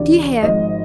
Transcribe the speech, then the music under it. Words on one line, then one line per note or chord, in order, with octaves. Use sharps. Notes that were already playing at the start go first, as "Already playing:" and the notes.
Do you hear?
Already playing: D2 C3 E3 D5
G#1 G#2 F3 D#5